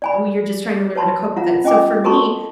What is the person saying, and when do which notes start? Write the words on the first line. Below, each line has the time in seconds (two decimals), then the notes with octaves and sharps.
and when you're just trying to learn how to cope with it, so for me,
0.02 D5 G#5 B5
0.95 B4 C#5 A5 B5 C6
1.36 F4 F5 F#5 A#5
1.64 C#4 D#5 G5 G#5 D6
2.04 F#4 A4 A#4 A5 B5 C#6